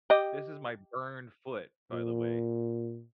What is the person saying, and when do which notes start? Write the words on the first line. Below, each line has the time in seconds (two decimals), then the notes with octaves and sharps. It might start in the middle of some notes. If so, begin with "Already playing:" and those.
this is my burned foot, by the way.
0.10 G4 D#5
1.92 A#2